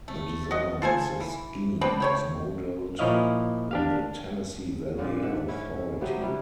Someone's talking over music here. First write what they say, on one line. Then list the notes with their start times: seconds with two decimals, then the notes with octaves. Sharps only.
The design of the scheme was modelled on the Tennessee Valley Authority.
0.08 A3
0.51 F#4 D#5
0.82 F4 A4 C5 G#5
1.20 E3
1.81 B3 C4 D4
2.00 C3 C#5 G5
2.99 A#2 F3 E4 C#5 D#5 F5
3.71 D4 G4 F5
4.98 G2 A#2 D3 D5
5.22 G#2 E5 F#5
5.48 C#4 E4
6.01 C3 F#3 B3 G4
6.21 G3 D4 E4